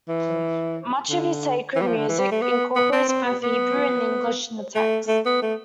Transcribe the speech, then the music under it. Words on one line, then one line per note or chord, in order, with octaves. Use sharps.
Much of his sacred music incorporates both Hebrew and English in the text.
E3
D3
E3
G3
F3
D3
E3
G3
A3
B3
B3
C4
C4
B3
B3
A3
A3
B3
A3